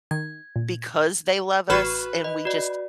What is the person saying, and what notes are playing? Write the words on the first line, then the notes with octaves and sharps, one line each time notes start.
because they love us, and we just,
D#3 G#6
A#2
A1 F#4 B4 C#6 F6 E7
D#5
F#4 D5